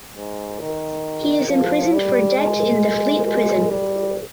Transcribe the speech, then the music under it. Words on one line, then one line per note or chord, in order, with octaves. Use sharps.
He is imprisoned for debt in the Fleet Prison.
G#2
D#3
F3
G3
G#3
G#3
G3